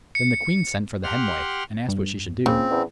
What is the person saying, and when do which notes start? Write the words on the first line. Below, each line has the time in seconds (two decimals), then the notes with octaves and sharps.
Then the queen sent for the Hen-Wife, and asked what she should do.
0.15 C#7
1.03 G4 F#5 C6 F6
1.89 G2
2.46 A#2 C#3 C4
2.71 E2